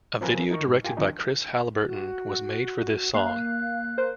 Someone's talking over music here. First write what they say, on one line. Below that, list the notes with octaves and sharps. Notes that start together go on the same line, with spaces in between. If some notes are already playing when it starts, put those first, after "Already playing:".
A video directed by Chris Halliburton was made for this song.
F3 F#3 C4 A#4 B4 G#5
D#4 A#4 C#6
G#2
F4 G4 A#4 G5 G#5
D3 D#3 F3 C4 D4 D#4
F#4
A#3 F5 F#6
A#4 C5